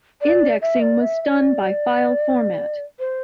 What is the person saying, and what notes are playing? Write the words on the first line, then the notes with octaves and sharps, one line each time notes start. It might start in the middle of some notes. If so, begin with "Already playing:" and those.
Indexing was done by file format.
D5
E5
D5
E5
E5
D5
C5